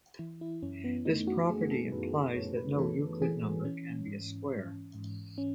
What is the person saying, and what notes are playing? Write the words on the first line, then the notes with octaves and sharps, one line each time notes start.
This property implies that no Euclid number can be a square.
E3 E4
E4
F#2 C#4
B3
A3 D#4
F#4
A3 G#4
A4
F#2 B4
A4
F#2 C#5
B4
E3 A4
E3 G#4
E3 C#4
G#2
G#2
G#2
C#4